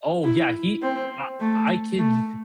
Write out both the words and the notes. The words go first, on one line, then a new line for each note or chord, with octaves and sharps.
Oh yeah, he I I could d
E4
C4
A3
A3